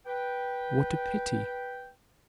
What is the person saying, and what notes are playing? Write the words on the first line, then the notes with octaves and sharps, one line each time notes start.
What a pity!
B4 G5